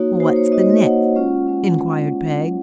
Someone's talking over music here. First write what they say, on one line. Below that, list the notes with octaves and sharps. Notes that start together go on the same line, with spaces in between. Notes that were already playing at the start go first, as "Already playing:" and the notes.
'What's the next?' inquired Peg.
Already playing: A#3 D#4 F#4 C#5
A#3 D#4 F#4 C5
C#5
A#3 D#4 F#4 D#5
C#5
D#5
A#3 D#4 F#4 F#5
G#3 C#4 F4
G#3 C#4 F4